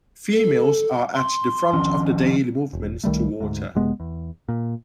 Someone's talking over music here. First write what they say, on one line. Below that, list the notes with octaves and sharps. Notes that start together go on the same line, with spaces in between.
Females are at the front of the daily movements to water.
A4
C6
D#3 F3 C#4
E1
C2 D#3 G3 A3
D2 G#2
F#1 C3 G#3 B3
E2
A#2